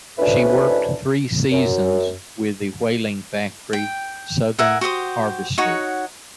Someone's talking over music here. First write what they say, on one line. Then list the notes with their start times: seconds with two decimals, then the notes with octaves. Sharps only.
She worked three seasons with the whaling factory "Southern Harvester".
0.18 D2 G#2 C#4 D4 E4 B4
1.51 F#2
3.73 G5
4.59 A#4 E5 F#5 G#5
4.81 F#4 G4 C5 D#6
5.58 D#4 F#4 C#5 F#5